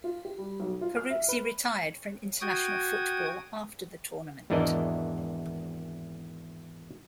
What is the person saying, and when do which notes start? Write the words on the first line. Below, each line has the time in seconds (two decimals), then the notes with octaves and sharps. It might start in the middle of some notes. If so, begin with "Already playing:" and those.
Peruzzi retired from international football after the tournament.
0.04 F4
0.25 G4
0.38 G3
0.60 B1
0.81 F4
0.97 F6
1.10 E5
1.28 B4
2.41 F#4 G5 D#6 G#6
4.50 G#1 E2 E3 D4 A#4 D#5